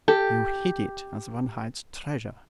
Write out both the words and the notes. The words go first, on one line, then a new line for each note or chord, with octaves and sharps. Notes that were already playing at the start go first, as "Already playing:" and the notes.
You hid it as one hides treasure.
G4 A4